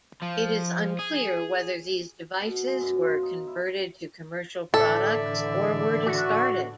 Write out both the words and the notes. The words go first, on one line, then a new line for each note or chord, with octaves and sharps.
It is unclear whether these devices were converted to commercial products or were discarded.
F3
G#4
B2
G#3
F#2
F4
D#4
E4
A2 D3 E3 A4 D5 E5
F#4